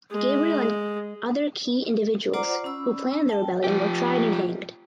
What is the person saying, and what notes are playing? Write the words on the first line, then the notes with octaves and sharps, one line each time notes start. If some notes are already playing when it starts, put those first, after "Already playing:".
Gabriel and other key individuals who planned the rebellion were tried and hanged.
G#3
F4 C5 D5 F#5 A#5 D6
C#4 B5 E6
G5 A5
F3 G4